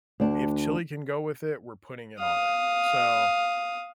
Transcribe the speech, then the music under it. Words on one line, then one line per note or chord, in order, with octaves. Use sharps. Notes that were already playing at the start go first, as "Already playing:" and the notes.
if chili can go with it, we're putting it on it. So,
D2 D4
F5 D#6